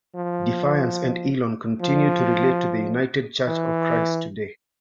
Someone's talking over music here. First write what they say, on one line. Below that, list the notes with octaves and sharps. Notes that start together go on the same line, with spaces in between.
Defiance and Elon continue to relate to the United Church of Christ today.
F3
F3
E3